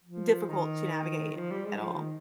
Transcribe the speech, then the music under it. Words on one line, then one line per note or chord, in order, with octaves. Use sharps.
difficult to navigate, at all.
F3
D#3
D#3
F3
G3
G#3
G3
F3
D#3